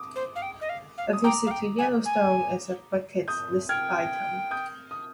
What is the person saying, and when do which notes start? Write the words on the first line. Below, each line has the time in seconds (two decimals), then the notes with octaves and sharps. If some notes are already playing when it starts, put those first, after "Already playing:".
A visit to Yellowstone is a bucket list item.
Already playing: D6 D#6
0.15 C5
0.35 F5
0.42 G5
0.61 D#5
0.69 F5
0.98 F5
1.13 D#6
1.24 G5 A#5 D6
1.46 F5
1.51 G5
1.78 G#5
2.05 G#5
3.28 D#6 G6
3.69 G5 F6 G#6
4.51 D#6 G6
4.91 D#6